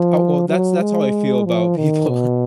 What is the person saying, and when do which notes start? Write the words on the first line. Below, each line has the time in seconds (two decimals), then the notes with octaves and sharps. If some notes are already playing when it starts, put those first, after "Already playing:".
Oh, well, that's that's how I feel about people
Already playing: F3
0.49 F#3
0.81 G#3
1.45 F3
1.76 D#3
2.09 B2